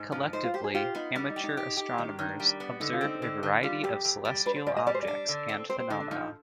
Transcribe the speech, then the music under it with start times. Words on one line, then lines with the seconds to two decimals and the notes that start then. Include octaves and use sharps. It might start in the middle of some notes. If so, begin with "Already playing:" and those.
Collectively, amateur astronomers observe a variety of celestial objects and phenomena.
Already playing: G#2
0.12 F3 D4
0.33 D#4 C5
0.44 F4
0.54 G4 C5
0.64 G#4
0.74 F4 G4
0.95 B3 D#4
1.15 G3 D4
1.30 D#4
1.36 G4
1.44 D#4
1.57 G4
1.77 G4
1.98 D#3 D#4
2.09 D4
2.19 D#3
2.29 D4
2.40 G3
2.60 B3
2.80 D3 D#4
2.93 F4
3.01 C4 D#4
3.22 D3
3.43 D3
3.63 G3 F4
3.83 F2 G4
4.05 F2
4.25 G3
4.46 D4 B4
4.56 C5
4.67 G#2 D5
4.77 D#5
4.87 G3 D5
4.94 C5
5.03 D4 D5
5.29 D3
5.49 C4
5.69 C4 C5
5.80 C5
5.90 D3 D#4
6.00 D4
6.11 F3 D#4